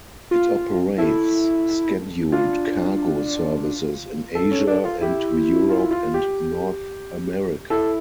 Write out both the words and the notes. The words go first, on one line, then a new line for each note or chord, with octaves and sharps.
It operates scheduled cargo services in Asia and to Europe and North America.
F4
E4 A4
D4 F4
A4
C#4
D4
F4
E4 G4
F4
F4
G4
E4 A4